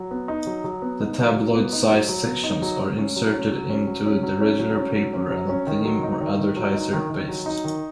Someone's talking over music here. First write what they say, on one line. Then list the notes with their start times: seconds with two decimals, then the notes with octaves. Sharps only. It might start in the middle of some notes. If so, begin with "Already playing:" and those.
The tabloid-sized sections are inserted into the regular paper and are theme- or advertiser-based.
Already playing: F#3
0.11 B3
0.28 D#4
0.47 F#3
0.64 F#3
0.82 B3
1.01 D#4
1.19 F#3
1.36 F#3
1.55 B3
1.72 D#4
1.91 F#3
2.09 F#3
2.26 B3
2.44 D#4
2.62 F#3
2.79 F#3
2.98 C#4
3.16 F#3
3.34 C#4
3.51 F#3
3.70 C#4
3.87 F#3
4.06 C#4
4.23 F#3
4.41 C#4
4.59 F#3
4.77 C#4
4.96 F#3
5.13 C#4
5.31 F#3
5.49 C#4
5.67 D#3
5.85 F#3
6.03 D#4
6.21 D#3
6.39 D#3
6.57 F#3
6.74 D#4
6.93 D#3
7.10 D#3
7.28 F#3
7.46 D#4
7.64 D#3